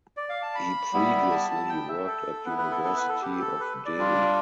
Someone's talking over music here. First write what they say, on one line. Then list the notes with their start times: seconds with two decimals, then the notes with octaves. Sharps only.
He previously worked at University of Delhi.
0.17 D5
0.29 F5
0.42 A5
0.55 B5
0.93 G3 B3 E4
1.31 A5
1.50 A5
1.69 G5
1.89 E5
2.07 A4
2.46 B3 E4 B4
2.58 B4
2.71 A4
2.84 A4
2.97 B4
3.09 A4
3.22 G4
3.41 A4
3.60 B4
3.86 D5
3.98 G3 D4 F4